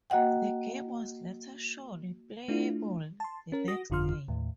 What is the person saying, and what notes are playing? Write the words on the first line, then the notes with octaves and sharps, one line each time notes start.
The game was later shown playable the next day.
A#3 F#4 D#5 F#5 G5
A3 D4 E4 F4
A5 C6
C#4 A#4
F#4 D#6 A#6
G1 F2 D3 F4 C6 F6
D#2 A2